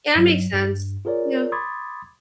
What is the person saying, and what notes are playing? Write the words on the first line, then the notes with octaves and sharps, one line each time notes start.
Yeah, that makes sense, yeah.
G2 F#3
G2
F4 G#4 A#4 C#5 D5
B5 C6 D6 D#6 G#6 A6